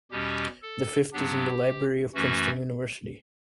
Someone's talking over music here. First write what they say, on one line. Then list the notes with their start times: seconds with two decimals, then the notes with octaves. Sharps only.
The fifth is in the Library of Princeton University.
0.11 E2 B2 G3 C#4 G4
0.62 A4
1.13 G2 F#3 B3 D4 G4
2.14 F#2 E3 A3 C#4 F#4